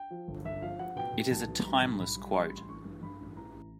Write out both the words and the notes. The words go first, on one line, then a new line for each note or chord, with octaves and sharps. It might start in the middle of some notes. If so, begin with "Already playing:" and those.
It is a timeless quote.
Already playing: G5
F3
G1
G1 E5
F3 F5
F3 F#5
B2 G5
B2
B1 A5
B2
G3 A#5
B1
B1 B5
G3
G3 C#6
C6
A1 B5
C6
A1 C#6
G2
G2 B5
A1
E3 A#5
A1